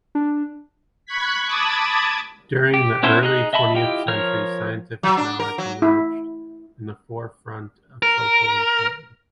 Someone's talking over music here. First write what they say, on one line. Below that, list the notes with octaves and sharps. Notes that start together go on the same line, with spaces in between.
During the early twentieth century, scientific knowledge emerged in the forefront of social importance.
D4
B5 C#6 F#6 G#6 B6
A5 B5 D6 D#6 G#6 A6
G4
B3 C#4 E4 A4 C5
D#4 G#4 D#5 F#6
D#5 E5 A5 B5
E4 F4 G4 D#5 G5
F3 A#4 C#5 F6
F#3
D4
A#4
F#3
E4
A#4